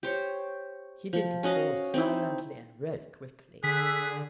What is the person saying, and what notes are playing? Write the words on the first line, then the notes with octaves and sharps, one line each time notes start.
He did it all silently and very quickly.
G4 C5 C#5
F3
C#4 F#4 D#5 F5
C4 D#4 E4
D3 G#4 E6 F#6 B6